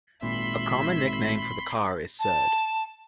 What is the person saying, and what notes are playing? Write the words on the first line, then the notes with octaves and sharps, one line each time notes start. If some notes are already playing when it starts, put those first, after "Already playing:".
A common nickname for the car is "'Sud".
G#1 A#2 E5 B5 C6
A5